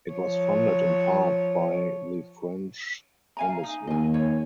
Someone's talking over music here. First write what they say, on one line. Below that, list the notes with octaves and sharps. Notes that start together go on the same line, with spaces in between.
It was funded in part by the French embassy.
F3 C#5
F5 G#5 A#5
D#4
D#2 D#5 G#5
C#5